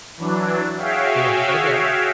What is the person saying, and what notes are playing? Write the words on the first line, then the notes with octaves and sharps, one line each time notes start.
So yeah, try that.
E3 F#3 D4
F#4 G#4 C#5 E5 F5 G5